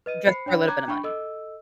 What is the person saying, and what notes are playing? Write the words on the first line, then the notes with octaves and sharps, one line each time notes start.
just for a little bit of money.
B4 D#5 D#7
C5 B5 C7 C#7
D4 C#5 G5 B5
A#5 D6 F#6 G#6
D4 G5 B5 C#6
A4 D#5 E6